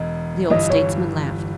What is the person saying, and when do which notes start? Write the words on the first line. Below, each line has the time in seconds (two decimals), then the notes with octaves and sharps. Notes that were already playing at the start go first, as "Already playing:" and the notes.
The old statesman laughed.
Already playing: E1 E2 D#5
0.50 G1 G2 E3 D#5
0.70 C#5